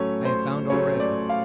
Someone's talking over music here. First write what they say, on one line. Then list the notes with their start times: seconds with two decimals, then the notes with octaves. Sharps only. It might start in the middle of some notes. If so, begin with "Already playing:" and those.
"I have found already."
Already playing: A2 F#3 A3 C#4 C#5
0.25 C5
0.70 A2 F#3 A3 C#4 C#5
1.00 D5
1.29 F5